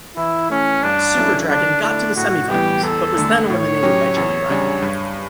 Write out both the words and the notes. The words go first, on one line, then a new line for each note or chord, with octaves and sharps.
Super Dragon got to the semifinals, but was then eliminated by Joey Ryan.
E3 E4
A3 C#4 E4
G2 D4
F#3 C#4 E4 A4
D3 D4
A3 D4 E4
A2 F#4
E3 G3 B3 G4
E2 A4
D3 A3
A2 C#5
F#3 C#4 G4
E2
C#3 G3 D4
G2